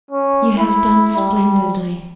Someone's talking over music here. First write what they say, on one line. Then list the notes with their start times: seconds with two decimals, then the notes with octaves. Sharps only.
"You have done splendidly."
0.11 C#4
0.58 E4
1.17 G3